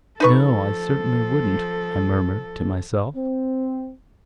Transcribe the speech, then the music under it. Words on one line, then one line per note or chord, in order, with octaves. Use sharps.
"No, I certainly wouldn't," I murmured to myself.
F3 D#4 A4 B4 C#6
C4